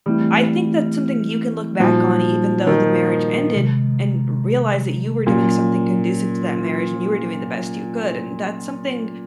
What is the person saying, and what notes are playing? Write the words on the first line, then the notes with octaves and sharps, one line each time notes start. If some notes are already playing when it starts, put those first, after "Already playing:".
I think that's something you can look back on even though the marriage ended, and realize that you were doing something conducive to that marriage and you were doing the best you could, and that's something
E3 G3 A3 C4 E4
A#2 F3 G3 A#3 D#4 F#4
D#3
C3 D#3 G#3
A#2 F#3 A#3 C#4 F4